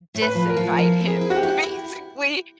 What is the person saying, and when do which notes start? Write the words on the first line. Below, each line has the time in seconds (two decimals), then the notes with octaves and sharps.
disinvite him, basically."
0.15 A2
0.22 B4
0.35 F3
0.49 A#4
0.56 F3
0.79 E4 A#4
1.01 C4
1.07 G#4
1.21 E4
1.30 F#4
1.36 G4
1.43 E4